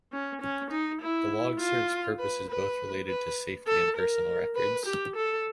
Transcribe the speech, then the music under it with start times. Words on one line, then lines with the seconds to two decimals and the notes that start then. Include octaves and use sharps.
The log serves purposes both related to safety and personal records.
0.12 C#4
0.41 C#4
0.71 D#4
1.01 E4
1.59 F4
2.19 B4
2.49 B4
3.08 B4
3.67 A4
3.96 A#4
4.55 B4
4.85 G4
5.16 A4